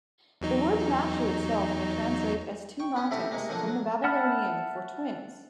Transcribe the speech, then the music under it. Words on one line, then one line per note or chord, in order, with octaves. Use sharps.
The word "Mashu" itself may translate as "two mountains", from the Babylonian for "twins".
E2 F#3 D#4
G5 C#6
B3 C#4
C3 A3 C4 E4 G4
C3 G#3 A#3
D3 F3 F#3 A#3
F#3
E5 F#5 A5 B5 F6